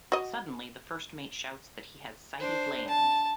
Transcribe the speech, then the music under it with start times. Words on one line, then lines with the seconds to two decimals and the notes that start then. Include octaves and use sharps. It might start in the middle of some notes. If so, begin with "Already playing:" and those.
Suddenly the First Mate shouts that he has sighted land.
0.12 F#4 D#5
2.40 D4 C5
2.88 A5